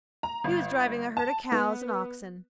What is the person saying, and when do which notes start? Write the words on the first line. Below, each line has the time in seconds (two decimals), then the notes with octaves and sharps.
He was driving a herd of cows and oxen.
0.23 A#5
0.44 G1
1.17 A5
1.52 B3